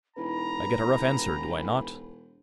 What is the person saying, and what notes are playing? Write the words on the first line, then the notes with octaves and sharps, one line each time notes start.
I get a rough answer, do I not?
E1 D#4 E4 B4 A#5 B5